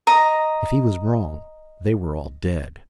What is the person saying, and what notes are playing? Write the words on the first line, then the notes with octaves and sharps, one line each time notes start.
If he was wrong, they were all dead.
D#5 A#5